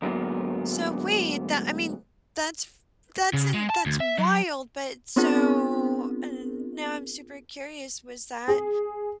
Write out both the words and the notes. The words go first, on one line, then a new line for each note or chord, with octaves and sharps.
So, wait, the I mean, that's f that's in that's wild, but so, and now I'm super curious, was that
D2 G#2 F#3 A#3 B3
C#3
G#3
A5
D2
E5
F#3
B3 C4 D4 F4 G#4 A#4
G#4